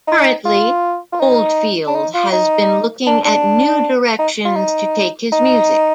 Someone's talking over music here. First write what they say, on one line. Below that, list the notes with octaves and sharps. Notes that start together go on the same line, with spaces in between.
Currently Oldfield has been looking at new directions to take his music.
D#4
F4
F4
D#4
D4
D#4
F4
D#4
D4
D4
D#4
F4
D#4
D#4